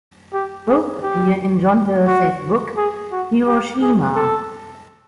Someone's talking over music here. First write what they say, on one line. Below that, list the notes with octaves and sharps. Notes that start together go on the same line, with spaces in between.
Both appear in John Hersey's book, "Hiroshima".
G4
G#4
G4
F#4
G#4
F#4
G4
G#4
A4